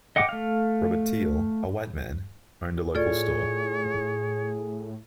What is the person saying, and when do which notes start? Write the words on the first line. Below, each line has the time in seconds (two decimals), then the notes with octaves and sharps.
Robert Teel, a white man, owned a local store.
0.16 D#5 F#5 G5 D6
0.29 A3 F5
2.95 A2 F4 G#4 A4 C#5 D5